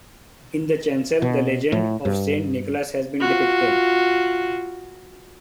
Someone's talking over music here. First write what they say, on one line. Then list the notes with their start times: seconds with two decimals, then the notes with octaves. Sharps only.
In the chancel, the legend of Saint Nicholas has been depicted.
1.22 B2
1.72 A2
2.05 G2
3.20 F4 F#4